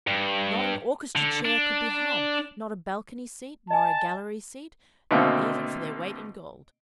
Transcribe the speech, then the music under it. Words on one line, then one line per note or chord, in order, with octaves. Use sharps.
Not an orchestra chair could be had, not a balcony seat, nor a gallery seat; not even for their weight in gold.
G2
D3
D4
D#5 G#5 A5
B2 D3 D#3 A3 A#3 C4